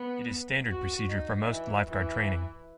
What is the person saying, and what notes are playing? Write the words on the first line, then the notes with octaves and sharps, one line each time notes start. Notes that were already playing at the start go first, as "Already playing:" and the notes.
It is standard procedure for most lifeguard training.
Already playing: B3
F#4
D#4
E3
E3